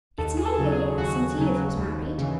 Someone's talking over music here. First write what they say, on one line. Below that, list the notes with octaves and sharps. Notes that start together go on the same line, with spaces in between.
It's nearly a year since Edith was married!'
D#2 A4
G#4
A4
C#3 F#3
G#4
D#2 F#4
C#3 F#3
D#2
C#3 E3